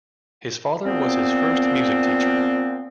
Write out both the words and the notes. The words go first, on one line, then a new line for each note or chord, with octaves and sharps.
His father was his first music teacher.
A#2 F3 B3 C4